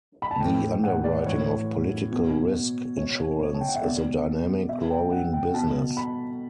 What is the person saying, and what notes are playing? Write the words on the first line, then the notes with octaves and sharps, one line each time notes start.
The underwriting of political risk insurance is a dynamic, growing business.
B5
A5
A2 E3 G5
F#5
D5
A2 E3 C#5
B2
B2 C#5
C#5
A5
G5
F#5
E5
B2 D5
B2 E5
G5
F#5
G5
B2 A5
B5